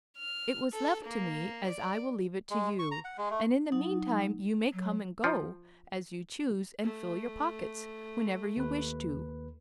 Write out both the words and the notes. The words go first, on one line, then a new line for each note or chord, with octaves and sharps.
It was left to me as I will leave it to you, and in the meantime you may come and go as you choose and fill your pockets whenever you wish to.
F6
A4
A#3
D5
G#3
C#6
A#5
F#5
G#3
A3
F#3 D#4
F#3
F3
A3
D#2 B4